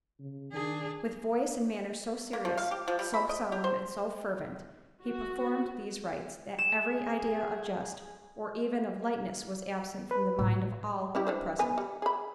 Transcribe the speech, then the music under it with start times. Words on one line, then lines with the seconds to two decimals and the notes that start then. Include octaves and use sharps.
With voice and manners so serious, so solemn and so fervent, he performed these rites, that every idea of jest, or even of lightness, was absent from the mind of all who were present.
0.19 C#3
0.53 D#3 D4 G#4
2.33 A#3
2.45 F3
2.57 F5
2.71 G4
2.88 F3
2.99 G3
3.14 B5
3.29 D#5
3.52 G4
3.64 C5
5.05 F#4
6.59 G#4 E7
10.11 B4
10.39 A2 G#3
11.15 C#4 E4 G4
11.27 E3 D4 C5
11.59 B3 D#4 G#5
11.78 G3
12.02 G#4 B5